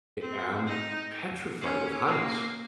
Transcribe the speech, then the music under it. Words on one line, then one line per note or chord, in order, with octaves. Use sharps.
I am petrified of heights.
C4
D#4
C#4
A#3